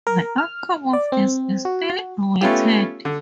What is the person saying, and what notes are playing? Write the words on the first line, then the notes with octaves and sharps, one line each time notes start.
The outcome of this is still awaited.
A#4
F6
D5
C4
F#4
A3 B3 C#4 F4 G4
D3